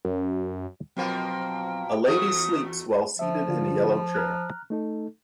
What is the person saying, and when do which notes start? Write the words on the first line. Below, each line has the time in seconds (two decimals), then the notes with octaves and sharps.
A lady sleeps while seated in a yellow chair.
0.05 F#2
0.97 B2 F3 F#3 A#3 C4 G5
2.07 E2 A3 F#4 D#6
3.19 F3 E5
3.48 D3 D4 F4
4.14 A#5 F6 F#6
4.70 A3 D#4 A4